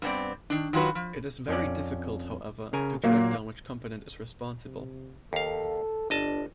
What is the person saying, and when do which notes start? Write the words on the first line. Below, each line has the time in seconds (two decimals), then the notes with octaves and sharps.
It is very difficult, however, to track down which component is responsible.
0.02 G2 B3 C4 D5
0.50 D#3 D4
0.73 D#3 F#3 F4 F#4 B4
0.95 F3
1.48 F2 C#4 D5
2.73 C#3 A#4 G#5
3.04 A#2 F#3 A#3
4.64 C3
5.33 D#2 A4 F5
6.10 G1 D4 D#5 A5